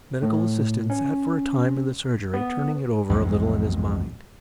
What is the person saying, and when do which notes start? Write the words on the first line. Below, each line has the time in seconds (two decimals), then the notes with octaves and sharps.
The medical assistant sat for a time in the surgery turning it over a little in his mind.
0.22 A2
0.90 C#4
2.34 B3
3.09 B1 F2 E3 G#3